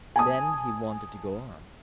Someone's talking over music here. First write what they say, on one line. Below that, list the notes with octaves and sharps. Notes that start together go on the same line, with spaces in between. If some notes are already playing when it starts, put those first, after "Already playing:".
Then he wanted to go on.
G#5 A5 D#6